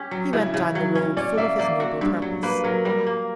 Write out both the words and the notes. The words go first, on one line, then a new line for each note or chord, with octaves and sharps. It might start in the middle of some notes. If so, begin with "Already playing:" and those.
He went down the road full of his noble purpose.
Already playing: C#4 G4
F#3
C#3 E4
C#3
F#3
C#4
C#4 D5
A#3 E5
A#3 D5
F#4
G2
F#3
A#3 B4
F#3 A#4
G3 A#4
A#3